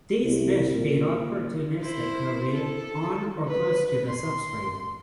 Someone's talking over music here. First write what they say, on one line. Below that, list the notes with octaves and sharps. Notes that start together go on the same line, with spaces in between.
These fish feed opportunistically on or close to the substrate.
C2
A#2
E4 C5
A4
B4
C6